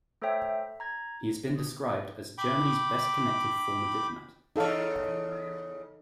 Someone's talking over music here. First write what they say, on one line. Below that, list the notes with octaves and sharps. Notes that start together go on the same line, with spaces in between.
He has been described as "Germany's best-connected former diplomat".
A3 A4 C5 C#5 E5 G5
A#5 G#6
G5 B5 D6
E2 C#3 D#4 A4 C#5 F5